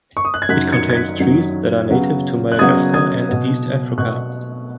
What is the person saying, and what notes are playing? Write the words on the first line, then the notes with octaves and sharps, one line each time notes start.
It contains trees that are native to Madagascar and east Africa.
C#6
D#6
F#6
G#6
F#2 D#3 F#3 F#6 B6
G#6 C#7
G#6
F#6 B6
F#2 D#3 F#3
C#3 F#3 B3
F#6
C#3 F#3 B3 D#6 G#6
D#6 G#6
B2 B3
B2 B3 C#6 F#6